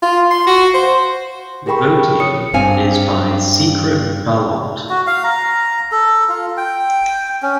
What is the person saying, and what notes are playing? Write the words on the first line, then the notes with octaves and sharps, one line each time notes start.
Voting is by secret ballot.
F4
C6
F#4
C5
G4 G#4 A#4 G5 B5 C#6
C#5 D#6 C#7
G2 C4 F5 G#5
F#4
F5
A#5
A4
F4
G5
C#4